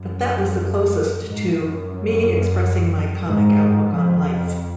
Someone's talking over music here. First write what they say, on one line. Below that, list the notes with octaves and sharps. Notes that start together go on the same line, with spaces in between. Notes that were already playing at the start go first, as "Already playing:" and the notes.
But that was the closest to me expressing my comic outlook on life.
Already playing: F#2
G#2
F#2
G#2
F2